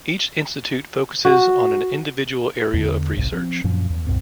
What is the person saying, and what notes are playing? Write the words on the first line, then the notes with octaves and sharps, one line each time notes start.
Each institute focuses on an individual area of research.
F#4
E2 D3
G1 C2 G#2 C3
F3 C4
F#2 A#2 F3 C#4
E2
C2 F#2 A#2 C4